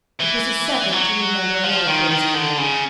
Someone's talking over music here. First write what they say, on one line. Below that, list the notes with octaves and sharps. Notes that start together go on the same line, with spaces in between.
It was a second to remember another phase of the matter.
E3
F#3
F3
D#3
D#3
D3
C#3